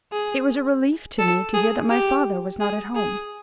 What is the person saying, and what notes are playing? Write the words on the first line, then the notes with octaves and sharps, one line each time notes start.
It was a relief to me to hear that my father was not at home.
G#4
A4
G#4
G4
G#4
G#4